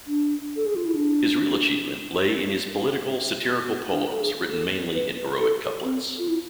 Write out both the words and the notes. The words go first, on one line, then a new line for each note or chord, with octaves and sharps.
His real achievement lay in his political, satirical poems, written mainly in heroic couplets.
D4
A4
G#4
F4
E4
D4
D4
A4
G#4
A4
B4
A4
C4
F4
E4